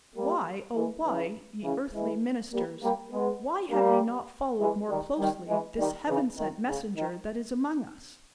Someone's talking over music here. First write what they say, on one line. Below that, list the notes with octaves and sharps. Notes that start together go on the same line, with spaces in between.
Why, oh why, ye earthly ministers, why have ye not followed more closely this heaven-sent messenger that is among us?
G3 A#3
E3 G#3
C#3 E3
C#3 E3
E3 G#3
G3 A#3
G3 A#3
G#3 B3
G3 A#3
E3 G#3
D#3 G3
D#3 G3
E3 G#3
D#3 G3
C#3 E3
D#3
C#3
D#3